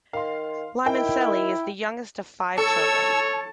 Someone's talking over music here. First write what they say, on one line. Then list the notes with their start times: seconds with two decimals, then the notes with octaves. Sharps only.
Limoncelli is the youngest of five children.
0.13 D#3 F5 C6
0.86 D#3 E4 G5
2.58 A4 C#5 A5 C#6 E6